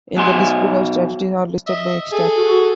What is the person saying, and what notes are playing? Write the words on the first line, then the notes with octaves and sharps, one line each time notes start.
In the list below, statutes are listed by X Stat.
B2 F#3 F#4 G#5 C6
D#5 E5
G#4 A4
F#4